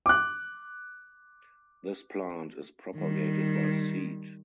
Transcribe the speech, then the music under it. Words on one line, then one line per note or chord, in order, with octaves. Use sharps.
This plant is propagated by seed.
D6 F#6
D#3 G3